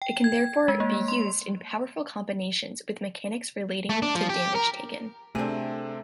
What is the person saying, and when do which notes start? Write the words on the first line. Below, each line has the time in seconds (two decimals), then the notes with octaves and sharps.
It can therefore be used in powerful combinations with mechanics relating to damage taken.
0.02 G5
0.24 G#6
0.68 G#3
0.80 A#3
1.08 C6
3.90 A3
4.02 D4
4.15 F3
4.30 G4
4.55 A#4
5.35 C3 A3 C4 D4 G#4